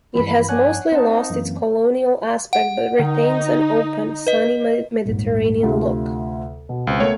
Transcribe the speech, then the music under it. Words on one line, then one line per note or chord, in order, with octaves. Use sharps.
It has mostly lost its colonial aspect, but retains an open, sunny Mediterranean look.
G2 E3 F3 C4 B5
D4 C#5 F#5 G#5 F#6
C4 D#4 C5 F#5 A5
F#2 E3 A#3
F#5
D3 D#4
B4 D#5
D#1 G#1
D2 C3 F4
B2
C#2 B2 C4
A3 B3 A#4 C#5